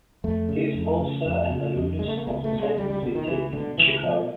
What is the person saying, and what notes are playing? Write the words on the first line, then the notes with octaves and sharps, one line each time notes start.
He is also an alumnus of The Second City in Chicago.
F2 A3
C#3
F2
C#3
F2
C#3
F2
C#3 G#3
A3
A#3
C#2 B3
A3
B2
G#3
C#2 G3
G3
B2 D3
D#3
C#2 E3
B2 D3
C#2 E3
B2 F3